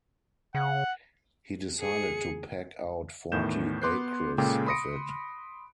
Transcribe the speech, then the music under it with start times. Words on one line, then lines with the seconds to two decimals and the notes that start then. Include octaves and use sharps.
He decided to peg out forty acres of it.
0.55 C#3 F#5
1.80 G#4 C#7
3.32 E2 A2 D#3 G6 E7
3.82 B3 C6 D6 F#6 G6 C7
4.38 A#2 C#3 G#3 A4 G5 D6
4.66 B5 C6 D#6 A#6 C#7 D7